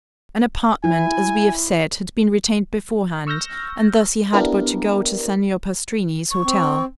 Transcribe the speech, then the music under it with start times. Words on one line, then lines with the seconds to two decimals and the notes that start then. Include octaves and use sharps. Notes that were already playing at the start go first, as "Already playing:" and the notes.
An apartment, as we have said, had been retained beforehand, and thus he had but to go to Signor Pastrini's hotel.
0.84 E4 G#5
3.27 C#6 E6 F6 G6 A#6
4.33 B3 D4 E4 G4 A#4
6.31 C#6
6.45 C4